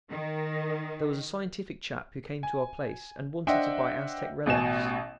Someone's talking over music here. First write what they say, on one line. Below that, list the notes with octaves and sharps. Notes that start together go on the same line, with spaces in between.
There was a scientific chap who came to our place and wanted to buy Aztec relics.
D#3
G#5
D4 C5 D#5 E5 F#5 G5
A1 B2 G#5 E7